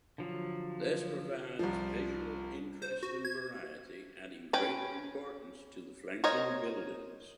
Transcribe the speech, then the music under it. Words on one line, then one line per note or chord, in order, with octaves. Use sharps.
This provides visual interest and variety, adding greater importance to the flanking buildings.
D3 F3 F#3
C2 F3
C5
F#4
G#6
C#4 B4 G5
A#4 C5 C#5 D#5